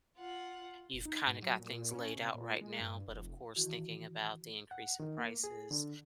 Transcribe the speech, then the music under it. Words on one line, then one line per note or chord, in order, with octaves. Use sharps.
You've kinda got things laid out right now, but, of course, thinking about the increase in prices,
F4 F#5
F1
D#4
G#2
F#3
A#2
C#4
C3
A#2
G#3
G2
F1
D#3 E3 E4 F#4
F#5
D#3
A#3
G#4
D3